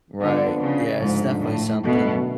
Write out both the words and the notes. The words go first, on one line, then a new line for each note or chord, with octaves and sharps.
Right. Yeah. It's definitely something
F2 D3 F3 B3 D4
C#3
G#2 D3 F3 A3
A2
F#2 B2 D3 F#3 A3